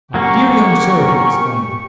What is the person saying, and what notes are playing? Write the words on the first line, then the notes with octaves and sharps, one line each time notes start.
"My dear young sir!" he exclaimed.
F#3 A#3 C#4 G4 C#6